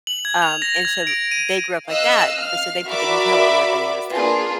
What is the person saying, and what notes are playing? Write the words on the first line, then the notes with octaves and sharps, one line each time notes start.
Um, and so, they grew up like that, but so they put the Nutella on their bananas now.
F#7
G#6
F7
A#6
G#6
D7
D#7
D#5 F5 E6 F#6
F5 F6
F#4 A#4 D5 E5 B5 D6
A#3 D4 F4 G#4 B4